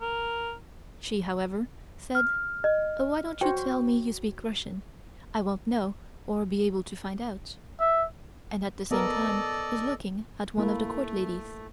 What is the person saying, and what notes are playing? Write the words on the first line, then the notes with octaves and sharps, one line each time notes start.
She, however, said: "Why don't you tell me you speak Russian, I won't know or be able to find out," and at the same time was looking at one of the Court ladies.
A#4
F6
D#5
F#4 C5 G5
E5
B3 A4 A#4 D5 D#5
A3 A#3 E4